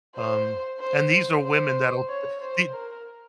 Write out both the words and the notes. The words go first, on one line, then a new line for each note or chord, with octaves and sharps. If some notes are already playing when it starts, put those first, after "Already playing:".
um, and these are women that'll b be
C5
C5
C5
C#5
C5
A#4